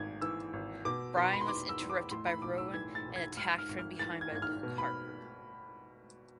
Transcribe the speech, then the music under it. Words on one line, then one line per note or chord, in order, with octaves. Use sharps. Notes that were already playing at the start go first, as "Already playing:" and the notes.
Bryan was interrupted by Rowan and attacked from behind by Luke Harper.
Already playing: G#1 G#2 G#6
E3 E6
G#1
B2 D6
B2 C6
B5
C6
E2 D6
E6
E2
D6
A2 C6
B5
B1 D6
E6
E3 G#6
A6
B1
G#6
G#2 F6
F6
G#1
F6
E3 A6
G#6
G#1 G#6
F6
B2
B5